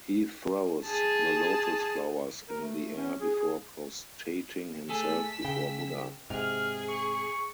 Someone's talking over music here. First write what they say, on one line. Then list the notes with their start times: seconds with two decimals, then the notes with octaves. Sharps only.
He throws the lotus flowers in the air before prostrating himself before Buddha.
0.87 G#4 A5
2.49 A#4
2.61 A3
2.96 C#4
3.20 G#4
3.35 G#4
4.89 A3 G#4 A4 E6 B6
5.45 C#3 G5
6.30 G#2 C3 G#4 F6
6.88 C#6